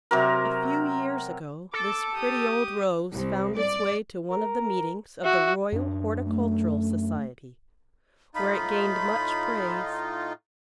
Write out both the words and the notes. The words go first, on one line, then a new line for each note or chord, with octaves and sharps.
A few years ago this pretty old Rose found its way to one of the meetings of the Royal Horticultural Society, where it gained much praise.
C3 F#3 A#4
A4 D6
G4 D#6
C2
D5
A#4
F#4 E5
F#2 D4
A3
A2 D#4 F4 B5